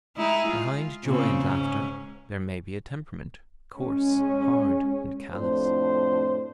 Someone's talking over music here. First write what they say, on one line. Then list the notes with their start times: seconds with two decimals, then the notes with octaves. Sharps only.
Behind joy and laughter there may be a temperament, coarse, hard and callous.
0.17 G#3 D#4 E4
0.48 F4
1.04 A#2 C#3 C4
1.45 G#2 C#4
3.75 G#3 C#4
5.33 F2 A2 D4 C5